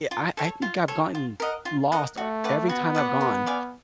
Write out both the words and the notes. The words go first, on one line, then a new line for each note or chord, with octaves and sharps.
i I think I've gotten lost every time I've gone,
F4
A4 C#5
F4
A4 C#5
F4
A#4 D#5 F#5
F4
A#4 D#5 F#5
A3 F#4
B4 D5 F#5
B3 F#4
B4 D5 F#5
A#4
D5 F5 G#5